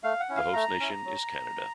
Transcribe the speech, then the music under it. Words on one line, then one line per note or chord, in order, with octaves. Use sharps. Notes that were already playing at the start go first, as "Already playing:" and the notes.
The host nation is Canada.
A3 F5
F#5
C#4 E4
F5
A3 A#5
C#4 E4
F#3